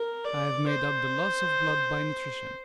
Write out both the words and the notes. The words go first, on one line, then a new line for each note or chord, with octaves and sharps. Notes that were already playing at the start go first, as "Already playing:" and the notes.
I have made up the loss of blood by nutrition.
Already playing: A#4
D5
C5